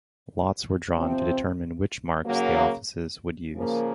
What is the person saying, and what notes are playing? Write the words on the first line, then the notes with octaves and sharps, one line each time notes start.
Lots were drawn to determine which marks the offices would use.
C3 F3 C4
C#3 F#3 A#3
C#3 F3 A#3